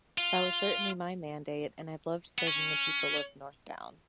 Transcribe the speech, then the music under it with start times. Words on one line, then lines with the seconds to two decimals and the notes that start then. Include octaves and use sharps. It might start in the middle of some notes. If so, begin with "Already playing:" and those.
That was certainly my mandate and I've loved serving the people of North Down.
0.18 F4
2.38 B3
2.47 C#4